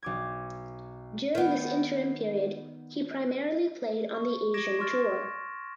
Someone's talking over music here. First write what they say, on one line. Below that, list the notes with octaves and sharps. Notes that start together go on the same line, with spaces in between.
During this interim period he primarily played on the Asian Tour.
B1 D6 G#6
D#3 B3
C#6
D6 G#6 A#6 D7 E7
C6 C#6 F6 A6